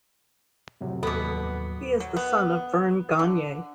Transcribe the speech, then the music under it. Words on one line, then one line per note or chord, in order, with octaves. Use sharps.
He is the son of Verne Gagne.
F2 A2 C3 F#3
D#2 B2 B3 A4 D6
F#3
B3
D3